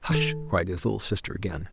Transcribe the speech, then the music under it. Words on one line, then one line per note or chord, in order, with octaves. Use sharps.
"Hush!" cried his little sister again.
D#3 A4